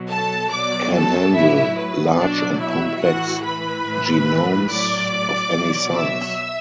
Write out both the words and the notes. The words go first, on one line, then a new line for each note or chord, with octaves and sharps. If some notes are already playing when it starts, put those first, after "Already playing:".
Can handle large and complex genomes of any size.
Already playing: B2 F#3
A4 A5
B2 F#3 D5 D6
A4 A5
A2 F#3 E4 E5
B4
B2 F#3 D4 D5
E4 E5
A2 E3 F#4 F#5
B4 B5
A2 E3
A2 F#3 D5 D6
B2 F#3
E5 E6